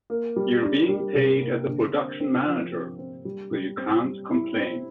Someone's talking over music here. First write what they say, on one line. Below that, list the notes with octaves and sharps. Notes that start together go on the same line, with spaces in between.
You're being paid as a production manager, so you can't complain.
A#3
G3
D4
G3
C3
A#3
D3
C4
C4
F3
C4
C4
G3
G3
C4
G3
E4
C4